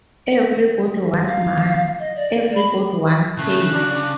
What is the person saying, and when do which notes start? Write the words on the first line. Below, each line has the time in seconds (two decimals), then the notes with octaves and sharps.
Everybody want money, everybody want paid.
1.28 F5
1.99 D#5
2.16 D5
2.55 B5
3.38 C#3 A3 F#6
3.73 D4 F#4 D5